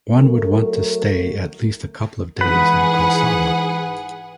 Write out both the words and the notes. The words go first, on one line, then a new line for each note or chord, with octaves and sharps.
One would want to stay at least a couple of days in Cosala.
F#3 A3 A#4
G#2 E3 G#4 B4 F#5